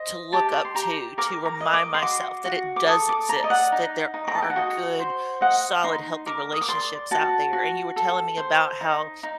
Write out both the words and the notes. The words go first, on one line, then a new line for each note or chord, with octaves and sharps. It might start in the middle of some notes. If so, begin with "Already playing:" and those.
to look up to, to remind myself that it does exist, that there are good, solid, healthy relationships out there. And you were telling me about how
Already playing: C5 D#5
G4 A5
C6
G4 A#5
A#4 D6
A#5
D#5
D6
C6
F#4 D6
F#4
D6
A4 D#6
D6
D5 A#5
D#5
F#5
D#4
D#4
A#5
A5
G5
F#5
F#4 D#5
C5
D#5 F#5
D#4 C6
A#4 D6
D#6
D6
D5 C6
F#4 A5
F#4
A4
C5
D#4
D#4